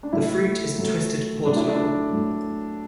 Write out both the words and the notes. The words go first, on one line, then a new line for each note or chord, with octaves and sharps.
The fruit is a twisted pod long.
D4
A2 F#3 A3 E4
A2 F#3 A3
A2 F#3 A3 D4
E4
D4
A2 F#3 A3